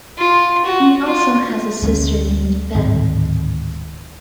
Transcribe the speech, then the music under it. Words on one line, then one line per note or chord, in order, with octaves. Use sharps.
He also has a sister named Beth.
F4
F#4
F4
D2 G#3 C4 C#4
D1 G#2 D#3 C4